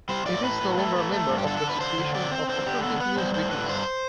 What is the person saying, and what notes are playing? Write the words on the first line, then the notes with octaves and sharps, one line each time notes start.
It is no longer a member of the Association of Alternative Newsweeklies.
G3 C5
A2 D5
A2 B4
A2
A3
A3
A3
G2
G4
D3 A4
A4
D3
B4
D3 C5
D3
C4 D5
C4 C5
D3 C5
D3 G4
B3 A4
B3 B4
G3 C5
A2 C5
D3 B4
G2 C5